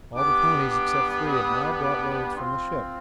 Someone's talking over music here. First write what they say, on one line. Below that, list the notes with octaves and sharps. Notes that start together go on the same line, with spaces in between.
All the ponies except three have now brought loads from the ship.
B3 D4 G4 D6
D6
D#6
D6
C4 F4 C6